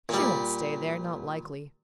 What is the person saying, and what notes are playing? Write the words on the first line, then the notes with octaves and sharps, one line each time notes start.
She won't stay there, not likely.
A#2 G3